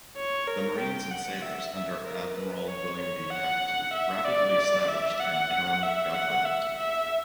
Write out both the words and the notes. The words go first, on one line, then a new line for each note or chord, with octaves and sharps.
The Marines and sailors under Admiral William B. Caperton rapidly reestablished an interim government.
C#5
A#4
G5
F#5
E5
E5
A#4
B4
C#5
C#5
F#5
E5
D5
E5
F#5
E5
F#5
E5
E5